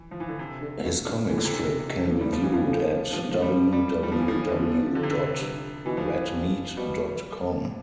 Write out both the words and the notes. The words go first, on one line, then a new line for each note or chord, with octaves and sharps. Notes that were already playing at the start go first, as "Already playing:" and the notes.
His comic strip can be viewed at www dot redmeat dot com.
Already playing: E3
F3
E3
D3
C3
D3
B2
G2
F2 E3
D3
C3
D3
F2
E2 G3
F3
E3
F3
F2
G2 F3
F3
G3
G2
G3
F2 G3
F3
E3
F2 F3
E2 D3
E2
F2 D3
C3
D3
G2
B2 E3
F3
E3
C3
B2 G3